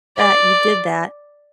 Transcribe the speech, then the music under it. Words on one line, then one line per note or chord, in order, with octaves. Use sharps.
that you did that,
D5